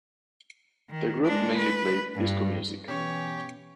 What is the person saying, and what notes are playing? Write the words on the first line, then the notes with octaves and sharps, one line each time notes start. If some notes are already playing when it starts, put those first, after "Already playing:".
The group mainly played disco music.
D#3
G#3 D4
B4
G2
B2 E3 C#4 G4 C#5 F5